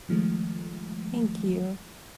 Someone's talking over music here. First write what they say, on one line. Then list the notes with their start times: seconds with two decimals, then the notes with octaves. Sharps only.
thank you.
0.09 D#3 F3 G#3 A3